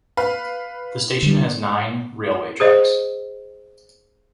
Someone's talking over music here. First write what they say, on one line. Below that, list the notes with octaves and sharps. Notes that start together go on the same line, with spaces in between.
The station has nine railway tracks.
B4 F5
D3 G3
G#4 C5 D#5